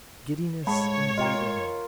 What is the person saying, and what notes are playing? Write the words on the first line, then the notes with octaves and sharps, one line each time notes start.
Giddiness invaded him.
A2 G#3 C#5 F5 G5 A5 B5
F4 A#4 D#5 G5